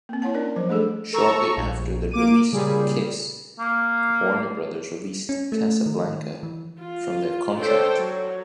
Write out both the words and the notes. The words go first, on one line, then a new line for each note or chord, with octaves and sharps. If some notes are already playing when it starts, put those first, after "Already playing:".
Shortly after the release of "Kiss", Warner Brothers released Casablanca from their contract.
A#3 C4
E4 C#5 F#5 A5
C#4 D4 A#4 D5
F3 F#3 C5
G3 A3 D4 G#4 A4
A4 A#5 C#6 E6
A#1
A#3 D6 D#7
A#2 C#3 G3 G#4
A#3
C#4
A3
D#3
E3
F4
D4 A4 C5 C#5 G5
F#3